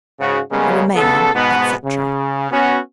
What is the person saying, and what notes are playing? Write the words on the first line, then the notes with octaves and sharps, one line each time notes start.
I remain, etc.
G#2 C#3 F#4
C#3 G3 G#3 A#3 B3 C#4
C#2 C#3 B3 A4
G#2 B2 B3
C#3
B3 C#4 F#4